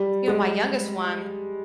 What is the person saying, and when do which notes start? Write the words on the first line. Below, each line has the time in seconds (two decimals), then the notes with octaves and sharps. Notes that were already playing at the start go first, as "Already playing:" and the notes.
you know, my youngest one
Already playing: G3
0.28 G#3